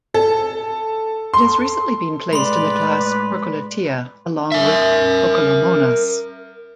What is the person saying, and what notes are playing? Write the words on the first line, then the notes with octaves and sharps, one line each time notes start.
It has recently been placed in the class Percolatea, along with "Percolomonas".
A4
C6
A2 G#3 B4 D5 B5 C6
A#4 E5